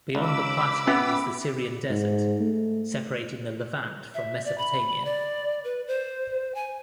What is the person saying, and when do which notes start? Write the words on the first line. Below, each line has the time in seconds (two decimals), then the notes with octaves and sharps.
Beyond the plateau is the Syrian desert, separating the Levant from Mesopotamia.
0.15 C#2 B5 D6 E6
0.87 B3 C#4 E5
1.90 G#2
2.40 A3
4.14 E5
4.44 D5
4.58 B5
5.05 D5
5.64 B4
5.88 C5
6.55 G#5